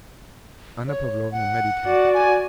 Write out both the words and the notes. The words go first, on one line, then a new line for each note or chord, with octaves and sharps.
Anna Pavlovna meditated.
C#5
F#5
F#4 D5
G#5